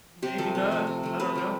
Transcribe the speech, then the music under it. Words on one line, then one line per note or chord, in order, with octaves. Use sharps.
Maybe not. I don't know."
C3 G4
F3 A3 A4
C3
F3 A3
C3
F3 A3
C3 B4
F3 A3